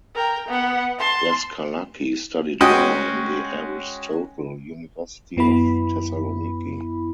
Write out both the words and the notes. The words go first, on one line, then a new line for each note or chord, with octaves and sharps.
Daskalaki studied law in the Aristotle University of Thessaloniki.
A#4 G5
B3 F#5
A5 C6
G#3 C#4 F#4 D#5 G5
F#2 B3 E4 B5